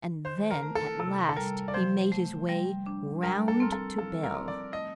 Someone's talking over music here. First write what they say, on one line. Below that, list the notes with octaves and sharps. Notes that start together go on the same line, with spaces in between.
And then at last he made his way round to Bell.
D#3 C5
A#4
A3
A4
C3 A4
A4
G3 A#4
D5
F3 C5
A3
G3
D4
G3 A#4
A4
C4 A#4
A4
F3 A4
A#4
C4
D5
A3 D#5